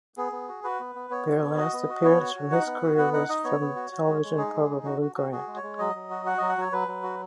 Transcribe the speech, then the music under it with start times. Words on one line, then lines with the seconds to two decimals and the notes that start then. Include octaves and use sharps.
Beir last appearance from his career was from the television program "Lou Grant".
0.17 B3 G#4
0.32 B3
0.49 F#4
0.64 F#4 B4
0.80 B3
0.95 B3
1.10 B3 C#5
1.27 F#4
1.42 B3
1.57 F#4 D#5
1.73 B3
1.89 F#4
2.04 B3 C#5
2.20 F#4
2.36 F#4
2.52 D#4 F#5
2.66 B3
2.83 F#4
2.97 B3 F#5
3.13 D#4 F#5
3.29 D#4 D#5
3.44 B3 C#5
3.60 B3
3.76 F#4
3.92 F#4
4.07 G#3
4.23 G#3
4.38 D#4 G#4
4.54 G#3
4.70 D#4
4.85 F#4
5.02 F#4
5.16 F#4
5.32 F#4 G#4
5.47 G#3
5.56 C#5
5.63 G#3
5.79 F#3 D#5
5.95 F#3
6.11 F#4
6.26 F#4 F#5
6.38 F#3 D#5
6.49 F#5
6.58 F#3 C#5
6.72 F#3 B4
6.88 F#3
7.03 F#4